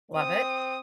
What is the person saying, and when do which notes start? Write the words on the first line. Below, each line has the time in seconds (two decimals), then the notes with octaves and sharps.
Love it.
0.16 C4 D#6